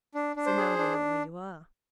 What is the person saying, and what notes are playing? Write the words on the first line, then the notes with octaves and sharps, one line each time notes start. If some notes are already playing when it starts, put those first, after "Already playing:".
So now you know where you are.'
D4
D4
C5
G#4
D4